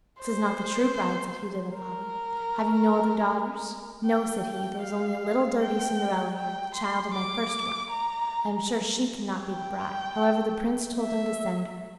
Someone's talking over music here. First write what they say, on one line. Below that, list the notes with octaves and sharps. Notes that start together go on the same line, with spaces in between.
"This is not the true bride," said he to the father; "have you no other daughters?" "No," said he; "there is only a little dirty Cinderella here, the child of my first wife; I am sure she cannot be the bride." However, the prince told him to send her.
C5
A#4
G5
G5
F5
G5
G5
C6
D6
A#5
G5
E5